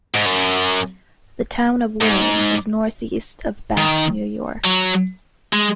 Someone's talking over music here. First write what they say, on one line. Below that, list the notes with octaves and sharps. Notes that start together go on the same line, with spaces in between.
The Town of Wayne is northeast of Bath, New York.
G#2
F#2
G#2
D#3
F#3
G#3